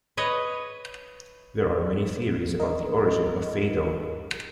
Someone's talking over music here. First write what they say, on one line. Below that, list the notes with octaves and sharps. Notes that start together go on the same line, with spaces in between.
There are many theories about the origin of fado.
B4 C#5 D#5
A#4 D#5